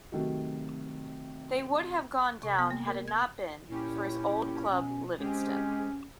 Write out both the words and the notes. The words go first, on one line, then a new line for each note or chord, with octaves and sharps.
They would have gone down had it not been, for his old club Livingston.
C3 D#3 F#3 A3 F#4
C3
B3
A#3
A#4
G#6
A#2 C#4 E4 G4
B2 C#4
G#3 C4 C#4 G4 G#4